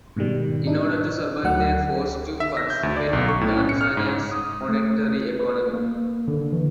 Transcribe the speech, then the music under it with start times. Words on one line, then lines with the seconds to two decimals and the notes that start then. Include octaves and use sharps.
In order to survive they are forced to participate in Tanzania's monetary economy.
0.17 G#2 B2 D#3 G3
0.67 D4 D#4
1.44 D2 F#3 F#5
2.40 E5
2.57 A#6
2.70 G6
2.83 D2
2.96 D5
3.13 B1
3.28 C#6
3.41 A2
3.57 C#4
3.69 C#7
3.81 F6
3.97 G#2
4.31 D#6
4.69 A3
5.39 B4
5.74 A#3
6.28 D3
6.53 E3